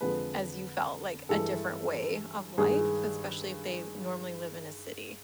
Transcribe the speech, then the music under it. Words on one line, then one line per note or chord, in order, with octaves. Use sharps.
as you felt, like, a different way of life, especially if they normally live in a city.
F2 D3 F3 G#3 B4
G2 E3 G#3 A4
G2 D#3 G#3 G#4